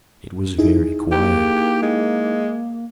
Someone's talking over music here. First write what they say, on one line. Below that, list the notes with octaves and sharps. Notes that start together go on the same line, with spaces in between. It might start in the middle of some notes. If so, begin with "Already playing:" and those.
It was very quiet.
D#4 E4 G#4
A#3 G4
G#3